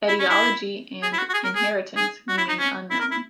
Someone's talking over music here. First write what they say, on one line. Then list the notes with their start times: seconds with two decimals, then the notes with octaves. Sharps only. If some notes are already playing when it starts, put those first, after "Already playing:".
Etiology and inheritance remain unknown.
0.08 E4
0.19 C#4
0.29 E4
1.03 G#4
1.13 E4
1.18 F#4
1.29 F#4
1.34 G#4
1.44 A#4
1.55 G#4
1.96 G#4
2.28 F#4
2.38 E4
2.49 D#4
2.59 C#4
2.90 E4
3.00 A#4
3.11 E4